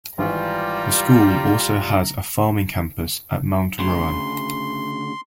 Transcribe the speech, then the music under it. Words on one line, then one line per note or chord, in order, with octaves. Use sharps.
The school also has a farming campus at Mount Rowan.
G#1 E3 G3 F4 A#5
D2 C#3 C6